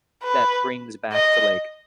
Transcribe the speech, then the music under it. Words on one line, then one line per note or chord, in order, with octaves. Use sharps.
that brings back to, like,
B4
D#5